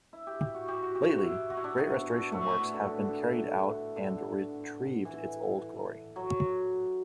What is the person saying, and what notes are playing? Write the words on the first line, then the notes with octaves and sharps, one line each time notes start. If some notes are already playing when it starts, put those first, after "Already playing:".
Lately, great restoration works have been carried out and retrieved its old glory.
E4
G4
G4
F#4
G4
F#4
G4
F#4
E4
F#4
E4
D4
B3
A3
B3
D3
D3
E3
F#3